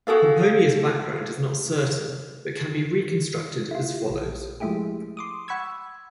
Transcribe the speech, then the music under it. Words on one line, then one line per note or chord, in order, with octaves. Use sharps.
Pomponia's background is not certain, but can be reconstructed as follows.
F#4 G#4 A4 F5
E4 F4
A#1
F3 G#3 A3 E4 G4 G#4
C6 D6 D#6
F#5 B5 C#6 E6 G#6